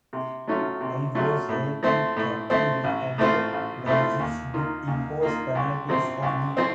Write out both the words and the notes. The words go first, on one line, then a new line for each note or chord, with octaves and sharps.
I was held in captivity and the Nazis did impose penalties on me.
C3
F#3 A3 C#4 F4
C3
F#3 A3 C#4 F4
A2
F3 A3 C4
A2
F3 A3 C4
A1
A2 A3 C4 F4
A1
A2 A3 C4 F4
D#2
D#3 A#3 F4
D#2
D#3 A#3 F4
C2
C3 F3 C4
C2
F3 C4